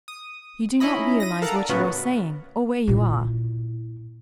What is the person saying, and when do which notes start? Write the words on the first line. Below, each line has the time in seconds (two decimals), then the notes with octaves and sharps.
You do not realize what you are saying or where you are.
0.08 D#6
0.80 C#4 D#4 E4 D#5 B5
1.20 A#6 D#7
1.42 A4 A#4 F5 F#5 A5 A#5
1.56 D5
1.69 A2 C#3 B3 F4 F#4
2.88 A#2 E4